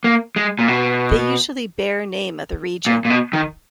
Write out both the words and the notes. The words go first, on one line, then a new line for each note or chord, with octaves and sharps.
They usually bear name of the region.
A#3
G#3
A#2
B2
A#2
A#2
B2
D#3